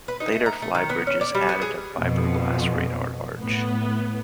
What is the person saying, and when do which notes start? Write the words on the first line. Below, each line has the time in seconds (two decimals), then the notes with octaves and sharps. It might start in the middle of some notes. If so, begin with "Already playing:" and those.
Later flybridges added a fiberglass radar arch.
0.08 B4
0.20 D#4
0.32 A3
0.46 A#5
0.62 A3
0.75 D#3
0.89 B3
1.07 C#4
1.21 D5
1.35 G3
1.49 B3
1.61 G#4
1.98 F2 B2
3.39 A2 B3